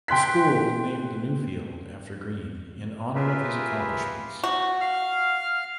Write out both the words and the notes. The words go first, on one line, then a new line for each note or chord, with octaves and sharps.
The school named the new field after Green in honor of his accomplishments.
G5 C6 F#6 B6
F4 G4 G#4 A#4 B4 E5
F#4
F5 F6